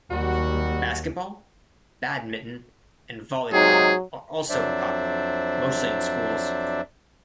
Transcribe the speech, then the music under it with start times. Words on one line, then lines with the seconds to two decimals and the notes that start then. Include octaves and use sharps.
Basketball, badminton and volleyball are also popular, mostly in schools.
0.11 D#2 F#3 G3 F#4
3.53 G#2 C3 F#3 D#4 G#4
4.50 F2 F#3 D4 C5 D5 E5